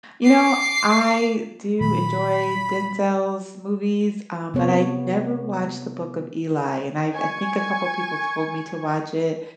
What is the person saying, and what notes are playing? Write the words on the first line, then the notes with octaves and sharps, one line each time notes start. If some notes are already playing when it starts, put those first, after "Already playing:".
you know, I do enjoy Denzel's movies, um, but I've never watched The Book of Eli, and I I think a couple of people told me to watch it.
D6 C7
A#2 D#3 F#3 B5
C3 B3 C#5
G#5 C#6 G#6